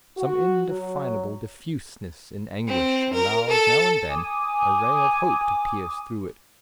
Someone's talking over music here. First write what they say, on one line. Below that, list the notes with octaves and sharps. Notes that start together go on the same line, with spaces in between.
Some indefinable diffuseness in anguish allows now and then a ray of hope to pierce through it.
F#4
F#3
C4
A#4
A4
G#5 D6 D#6